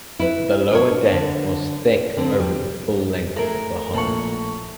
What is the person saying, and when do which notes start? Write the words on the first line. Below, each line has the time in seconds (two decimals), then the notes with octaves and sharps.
The lower deck was thick over the full length of the hull.
0.20 E4 B4
0.71 D4 A#4 C#5
1.12 D3
2.17 D3 C4
2.40 G3
3.37 A2 G#4 A#4 A#5
3.94 A#1 A2 F#5 A5 C#6